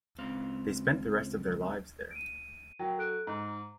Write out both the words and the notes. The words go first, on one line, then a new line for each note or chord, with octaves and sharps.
They spent the rest of their lives there.
C#2 C4 F5
D7 D#7
F#3 A#4 G5
A4 F#6 D7
G#2 A#5